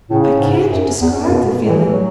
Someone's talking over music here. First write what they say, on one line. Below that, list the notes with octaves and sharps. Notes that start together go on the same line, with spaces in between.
I can't describe the feeling.
A2 C#3
G#2
F#2
E2
F#2
B2
A2
E3
F#3